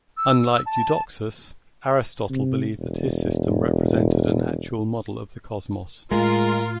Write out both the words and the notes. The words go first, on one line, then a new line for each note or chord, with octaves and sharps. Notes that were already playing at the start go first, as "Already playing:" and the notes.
Unlike Eudoxus, Aristotle believed that his system represented an actual model of the cosmos.
E6
A5
C3
E1
A2 G#3 F4 A#4